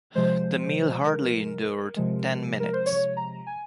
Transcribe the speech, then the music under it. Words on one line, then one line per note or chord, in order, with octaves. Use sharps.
The meal hardly endured ten minutes.
C3 F3 G#3 C5
A#4
C3 F3 G#3
A#4
C5
C#5
A#5
G#5